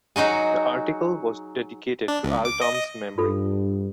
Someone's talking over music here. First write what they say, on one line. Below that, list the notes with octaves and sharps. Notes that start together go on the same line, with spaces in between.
The article was dedicated to Altom's memory.
F#3 D#4 F#4 G#4
D4
C#2
D6
D#5
D#5
G2 F4 A4